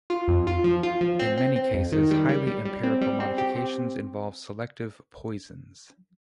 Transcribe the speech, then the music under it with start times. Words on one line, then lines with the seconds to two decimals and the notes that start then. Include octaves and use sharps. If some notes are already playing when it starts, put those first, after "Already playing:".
In many cases, highly empirical modifications involve selective "poisons".
0.10 F4
0.28 F2
0.47 F4
0.64 F3
0.83 F4
1.01 F3
1.19 C4
1.37 C4
1.56 C4
1.74 F2
1.92 D#3
2.11 G3
2.29 G3
2.47 G3
2.65 G3
2.83 C4
3.01 G3
3.20 C4
3.38 G4
3.56 C4